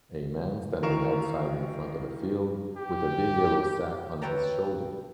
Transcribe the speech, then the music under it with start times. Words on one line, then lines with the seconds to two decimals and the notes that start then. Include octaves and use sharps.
A man standing outside in front of a field with a big yellow sack on his shoulder.
0.83 D#3 E3 A#4 F5 C#6 E7
2.77 G4
4.22 B4 C#5 E5 G5 A5 A#5